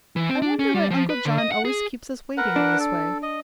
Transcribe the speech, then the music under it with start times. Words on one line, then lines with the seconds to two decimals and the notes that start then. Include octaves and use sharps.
"I wonder why Uncle John always keeps us waiting in this way?"
0.16 E3
0.29 C4
0.42 D4
0.59 C#4
0.74 G3
0.90 F3
1.10 B4
1.25 D3
1.38 D#5
1.52 F#5
1.65 G#4
2.37 A#4 B4 F#5
2.56 D4
2.80 A4
3.23 D#5